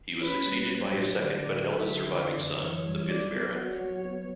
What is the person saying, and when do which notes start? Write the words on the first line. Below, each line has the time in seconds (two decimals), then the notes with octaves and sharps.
He was succeeded by his second but eldest surviving son, the fifth Baron.
0.21 C#4 B4
0.46 G3
0.69 F#3 C#5
0.93 A2
1.17 D3 D5
1.41 F#3
1.65 A4 E5
1.89 D3
2.13 D3 D5
2.37 F#2
2.61 E3 C#5
2.85 G3
3.09 F#3 D5
3.33 B3
3.56 F#4 C#5
3.81 F#3
4.05 B3